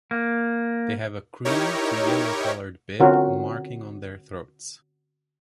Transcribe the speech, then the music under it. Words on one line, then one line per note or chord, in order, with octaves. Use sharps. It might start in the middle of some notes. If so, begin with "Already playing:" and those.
They have a cream to yellow coloured "bib" marking on their throats.
A#3
D#4 E4 G4 A#4 C#5
D3 C4 C#4 F4 F#4 A#4